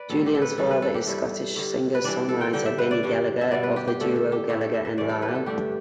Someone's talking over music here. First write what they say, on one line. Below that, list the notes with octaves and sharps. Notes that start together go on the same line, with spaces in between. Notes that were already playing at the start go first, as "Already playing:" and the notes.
Julian's father is Scottish singer-songwriter Benny Gallagher, of the duo Gallagher and Lyle.
Already playing: B4 D5
A2 G3 B3 A4
G4
A4
B4
G2 E3 G3 D4 A4
B4
A4
G4
G2 G3 E4 A4
G2 D3 G3
B4
E3 G3 D4 D5
A4
G5
D3 G3 D4 G5
E5
B4
D5
G2 G3 D4
E5
B2 B3 D4 D5
B4
G4
G4
D3 A3 D4 A4
A4
G4
A2 A3 E4 G4
A4
E5
E5
G2 E3 A3 D5
A4
B4
G4
A4
G2 D3 A3 D4 G4